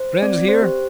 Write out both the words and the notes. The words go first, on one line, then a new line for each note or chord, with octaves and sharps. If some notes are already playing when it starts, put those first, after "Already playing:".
Friends here.
Already playing: C5
C4 D5
C5
G4